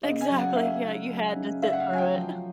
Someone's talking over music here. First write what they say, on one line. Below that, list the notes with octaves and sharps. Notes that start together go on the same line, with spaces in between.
Exactly, yeah, you had to sit through it.
C#3 D#5
G#5
F#3
F#5
F5
C#3 E5
C#3
F#3
C#3
C#3 E5
F#5
F5
F#3 G#5
G5
F3